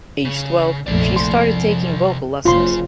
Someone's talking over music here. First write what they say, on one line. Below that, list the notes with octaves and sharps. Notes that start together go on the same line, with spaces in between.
Aged twelve, she started taking vocal lessons.
C#3
A#1 F2 C3 A3 D5
F2 C6
F#1 C#3 F4 C6